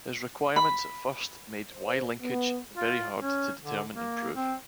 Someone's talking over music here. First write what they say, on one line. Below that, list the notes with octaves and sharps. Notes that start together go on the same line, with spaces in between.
His requirements at first made Y-linkage very hard to determine and prove.
B5
C5
B3
F4
C#4
D3
A#3
C4